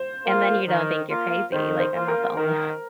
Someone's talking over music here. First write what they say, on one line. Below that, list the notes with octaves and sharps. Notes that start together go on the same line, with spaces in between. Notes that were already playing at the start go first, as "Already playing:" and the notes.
And then you don't think you're crazy, like, I'm not the only, o
Already playing: C5
A#3 F4
D#3
A#3 F4
D#3 C5
C5
A#3 F4
A#4
D#3 A#4